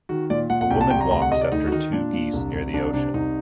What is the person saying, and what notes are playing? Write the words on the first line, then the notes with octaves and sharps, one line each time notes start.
A woman walks after two geese near the ocean.
D#3 F#4
A#2 D5
A#2 F#5
F#5
C2 G5
A5
C2 G5
A#5
D2 A#5
F#5
C3 D#5
D5
D2 D#4
F#4
D#3 D#4
A#2 D4
A#2
C2
C2
C2 D4
C3 D4
C2 D#4